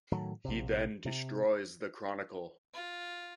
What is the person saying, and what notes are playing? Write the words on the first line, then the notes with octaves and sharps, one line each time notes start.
He then destroys the Chronicle.
A2 D#3 F#3 A3
A#1 C3
C3
F4